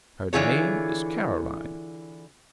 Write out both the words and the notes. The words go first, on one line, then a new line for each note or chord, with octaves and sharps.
'Her name is Caroline.
D3 E3 F4 G#4 C#5